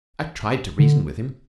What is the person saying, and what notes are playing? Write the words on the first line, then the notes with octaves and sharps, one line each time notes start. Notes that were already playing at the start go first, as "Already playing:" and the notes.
I tried to reason with him.
D3